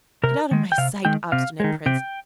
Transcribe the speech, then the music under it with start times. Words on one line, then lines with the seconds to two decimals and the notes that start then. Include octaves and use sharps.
'Get out of my sight, obstinate Prince.
0.23 C3 A#4
0.51 D#3 G#3
0.72 G5
0.78 C3 F5
1.05 D#3 G#3 G5
1.32 C3 F5
1.60 D#3 G#3
1.86 C3 G5